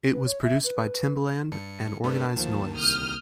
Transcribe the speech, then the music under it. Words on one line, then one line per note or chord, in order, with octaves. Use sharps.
It was produced by Timbaland and Organized Noize.
B4
C#5
E5
B4
G2 A5 C#7
G2 G3 A3 D4 A#4 B4 A5
D2 D#3 F3 A#3
C2 D#6 F6 G6